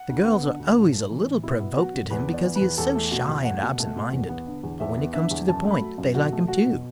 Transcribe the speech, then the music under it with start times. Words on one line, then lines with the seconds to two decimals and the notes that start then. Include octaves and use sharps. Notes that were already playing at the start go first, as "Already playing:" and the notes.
The girls are always a little provoked at him because he is so shy and absent-minded, but when it comes to the point, they like him too.
Already playing: F#5
0.09 D2
0.26 B3
0.42 D3
0.59 D2
0.77 A2
0.92 A3
1.10 E3
1.26 A2
1.43 B2 E4
1.60 B3
1.77 F#3 F#4
1.94 B2
2.10 E2 B4
2.28 B3
2.33 D5
2.45 E3
2.56 B4
2.61 E2
2.78 E2 A4
2.96 A3
3.11 B2 F#4
3.29 E2
3.45 A3 F#5
3.63 B2
3.80 A3
3.96 B2
4.13 E2
4.29 B3
4.47 D3
4.63 E2
4.80 E2 E5
4.98 B3
5.13 D3 E5
5.31 E2
5.48 F#2 A5
5.64 A3
5.71 B5
5.81 F#3
5.98 F#2
6.15 B2 F#4
6.33 A3
6.48 F#3 F#4
6.66 B2